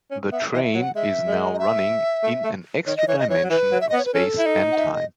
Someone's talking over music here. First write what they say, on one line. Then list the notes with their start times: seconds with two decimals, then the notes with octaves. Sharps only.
The train is now running in an extra dimension of space and time.
0.11 C#4
0.32 B3 E5
0.53 E3 D#5
0.63 E5
0.74 F#3
0.80 F#5
0.95 G#3 E5
1.27 G#3
1.54 D#5
1.59 E5
2.23 A3
2.44 A3
2.86 D#3 C#5
2.97 D#5
3.08 E3 C#5
3.19 D#5
3.29 E3 C#5
3.44 F#3
3.50 E3 B4
3.72 F#3
3.81 E5
3.89 D#5
3.93 B3
3.98 C#5
4.05 B4
4.14 C#4 A4
4.38 E4
4.46 D#4
4.72 F#5
4.77 E5
4.94 D#5